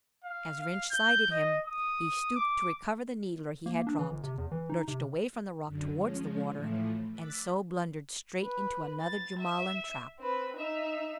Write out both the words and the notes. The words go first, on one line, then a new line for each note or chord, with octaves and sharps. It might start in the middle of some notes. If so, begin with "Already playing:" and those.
As Rynch sighted him, he stooped to recover the needler he had dropped, lurched away from the rock towards the water, and so blundered straight into another Jumalan trap.
F5
F5
G6
D#5
D#6
D6
A#3
D4
E3
G1
C3
E2
E3
D#4
C3
F#2 D3
F3 G#3 C#4
A2 E3 F3 A3
D6 E6 F#6 A6 B6
B4
A6
E5
C4 B4
D#4 E5